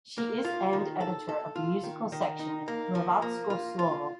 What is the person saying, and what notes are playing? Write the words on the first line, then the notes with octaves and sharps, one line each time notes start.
She is and editor of the musical section in "Hrvatsko slovo".
A#3
F4
D#3
A4
A4
F4
D#3
D#3
D#4
A#3
F3
A#3
F4
F4